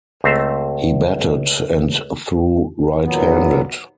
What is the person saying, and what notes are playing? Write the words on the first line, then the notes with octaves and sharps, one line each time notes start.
He batted and threw right-handed.
C#2 A3 C4 C5 E5 A#5
D#2 A#2 F#3 B3